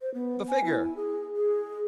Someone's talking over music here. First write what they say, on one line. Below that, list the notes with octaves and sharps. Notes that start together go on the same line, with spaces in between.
The figure!
C5
B3
G#5
E4
G#4
G#4